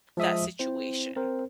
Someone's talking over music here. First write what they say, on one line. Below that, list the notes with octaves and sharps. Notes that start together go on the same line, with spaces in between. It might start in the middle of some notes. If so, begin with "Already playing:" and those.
that situation?
F3 G#3 E5 D#6
C4 E4 C5
C4 A#4 C5